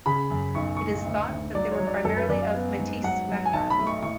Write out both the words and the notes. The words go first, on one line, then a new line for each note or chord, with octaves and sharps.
It is thought that they were primarily of Metis background.
C#3 B5
F#2
B1 C#6
A2 C#6
D2
D2
F#3 D5
C#5
F#3
D5
F#2 A4
B4
F#2 D5
F5
B3
G#2
F#3 F#5
F#3
G#5
B1 A5
B5
A3
C#6
A2 C#6